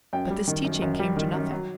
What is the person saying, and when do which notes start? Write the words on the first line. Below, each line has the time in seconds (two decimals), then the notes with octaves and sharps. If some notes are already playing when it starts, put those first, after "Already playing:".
But this teaching came to nothing.
0.13 F#2 G5
0.30 G3
0.48 D#3
0.65 F#2
0.82 F#2
0.99 G3
1.17 D#3
1.34 F#2
1.51 F#3